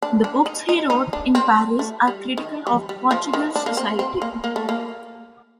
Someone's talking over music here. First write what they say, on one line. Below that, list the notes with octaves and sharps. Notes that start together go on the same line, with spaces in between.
The books he wrote in Paris are critical of Portuguese society.
D4
D4
D#4
D#4
D#4
D4
C4
A3
G3
D#3
G3
G3
F3
D#3
D4
A#3
C4
C4
A#3
A#3
A3
A#3